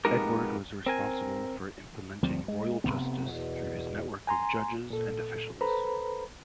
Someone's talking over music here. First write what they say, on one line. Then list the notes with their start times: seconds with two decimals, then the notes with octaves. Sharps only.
Edward was responsible for implementing royal justice through his network of judges and officials.
0.05 F2 G#3 B3 D#4 G4 A#4
0.86 C4 A#4 G#5
2.23 D2 F3 G3 C4
2.48 G#3
2.84 F1 A2 C3 B3
3.26 E2 B2
4.27 G#5 A#5 C6
4.90 A#2 A4
5.61 A4 B4 C5 A#5 B5